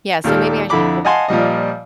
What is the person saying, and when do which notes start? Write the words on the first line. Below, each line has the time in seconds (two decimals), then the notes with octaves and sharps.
Yeah, so, maybe I should g
0.24 D#2 A#2 D#3 G4 A4 F6
0.70 F2 D3 E4 B5 D6
1.05 D#5 F5 F#5 G#5 A5 C6
1.28 A#2 F3 G3 D#5